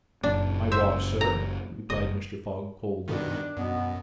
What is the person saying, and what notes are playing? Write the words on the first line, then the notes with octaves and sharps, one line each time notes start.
"I was, sir," replied Mr. Fogg coldly.
F#1 F#2 A#2 D4
C5 E5
A#5
F#1 D#5
G2 B2 D#3 D4
F#2 B2 B3